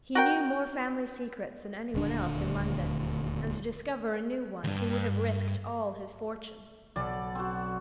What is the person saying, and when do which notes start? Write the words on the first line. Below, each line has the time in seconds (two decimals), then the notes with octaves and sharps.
He knew more family secrets than any one else in London, and to discover a new one he would have risked all his fortune.
0.15 F#4 A#4 G5
1.94 D#1 D2 A#3 D4
4.64 D2 G2
6.96 B1 A4 D5
7.35 C4 F#4